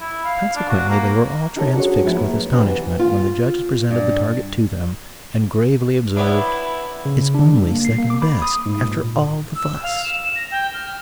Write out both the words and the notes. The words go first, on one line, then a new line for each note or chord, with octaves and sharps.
Consequently, they were all transfixed with astonishment when the judges presented the target to them, and gravely observed, "It's only second best, after all the fuss."
E4
F5
D4
F#4
A#3
D#4 E4 G4 A4 A#4 C#5
C#4 D4 F#4 G#4 B4 C#5
F3 G#3 B3 E4
A#3
C3 B3 D4 G4 C5
E3
F4
G2
B3 C#4 D4 E4
C#3
D4
G3
A#3
C7
A#3
D6
B5
D#6
G#2
A#2
E6
F5
E7
A#6
G5
F6